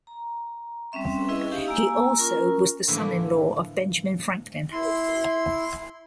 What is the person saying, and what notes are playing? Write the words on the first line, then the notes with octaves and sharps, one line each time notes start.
He also was the son-in-law of Benjamin Franklin.
A#5
G3 C4 C#4 E5 C6
C#4 E4 G#4 B4 D#5 E5
D#4 G4 F5
A#3 G#5 A#5 E6
C#4 F4 A#4 A#5
A2 D3 E3 F3 A#3 E4
E4 C6